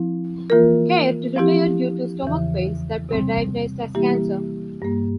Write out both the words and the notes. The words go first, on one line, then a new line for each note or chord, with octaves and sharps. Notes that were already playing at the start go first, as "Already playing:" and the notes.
Caird retired due to stomach pains that were diagnosed as cancer.
Already playing: F3 C4 E4
E3 A#3 F4 A#4
F3 C4 E4 G4
E2 C#3 E3
C3 G3 C4
E3 G3 A#3 E4 G4
G2 G3 A#3